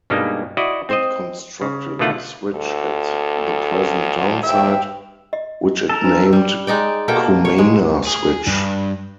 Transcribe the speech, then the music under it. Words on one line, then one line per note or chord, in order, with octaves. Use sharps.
It constructed a switch at the present townsite, which it named Comana Switch.
G2 B2 G3 G#3 A#3 D#4
E4 F#4 D5 D#5
C4 C5 D#5
C#3
B2 D3 D#3 A3 F4 F#5
D2 A4
D#2 E5 G5
D#5
A4 A#4
D4 F#4 B4
G3
G#3 D#4 D5 G5
B2 A#3 A4 G5
C#5
G#3
G#4
G2